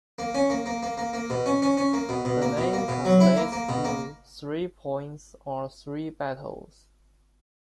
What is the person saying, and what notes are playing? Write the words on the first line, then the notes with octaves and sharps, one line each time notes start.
The name translates to "three points" or "three battles".
A#3
C#4
A#3
A#3
A#3
A#3
A#3
B2
C#4
C#4
C#4
A#3
B2
B2
A#3
B2
A#3
B2
F#3
E4
A#3
A#3
B2
A#3